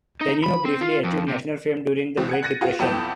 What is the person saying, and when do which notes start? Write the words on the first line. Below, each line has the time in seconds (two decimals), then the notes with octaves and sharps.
Tenino briefly achieved national fame during the Great Depression.
0.21 D#4
0.43 B5
0.65 C4
0.81 F4
1.04 F2
1.28 C3
2.17 C#2 B2 E3 C4
2.29 F#5 G#6 C#7
2.43 F#6 A6 A#6 C#7 D#7
2.61 F4 F#4 G#4
2.79 B1 F2 B3 E4 G5 E7